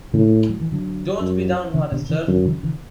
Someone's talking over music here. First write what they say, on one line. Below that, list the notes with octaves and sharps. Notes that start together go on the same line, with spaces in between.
Don't be down-hearted, sir.
A2 C#3 E3
F#3
E3
D3 F#3
F#2
C#3 E3
B2 D3
C#3 E3
F#2 D3 F#3
C#3 E3
C#3 E3